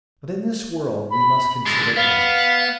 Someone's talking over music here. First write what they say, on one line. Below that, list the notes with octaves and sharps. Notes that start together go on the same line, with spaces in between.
But, in this world, we must consider others.
B5
D3 G#3 A6
B3 F5